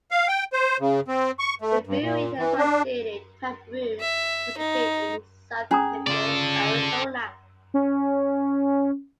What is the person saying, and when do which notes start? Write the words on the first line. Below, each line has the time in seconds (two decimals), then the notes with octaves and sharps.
The brewery and associated tap room was located in South Tempe, Arizona.
0.11 F5
0.28 G5
0.53 C5
0.80 C#3
1.08 C4
1.39 C#6
1.62 A3
1.87 G2
2.01 A#2
2.38 E3
2.58 D4
4.00 E5
4.58 D#4
5.71 C#4 G#4 A#5 D#6
6.07 C#3 F4 A4 D5
7.74 C#4